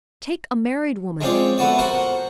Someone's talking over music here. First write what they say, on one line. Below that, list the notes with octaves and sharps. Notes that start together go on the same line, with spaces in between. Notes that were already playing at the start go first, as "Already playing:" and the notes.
Take a married woman.
G#3 C4 C#4 F4 D5
A3 B3 F#4 D5
F#4 A#4 C5 F#5